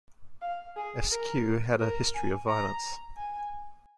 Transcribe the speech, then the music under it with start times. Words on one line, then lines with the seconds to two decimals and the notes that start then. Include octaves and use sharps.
Askew had a history of violence.
0.42 F5
0.76 G#4
1.11 A#4
1.80 A#4
2.15 G#5
2.48 A#5
3.17 G#5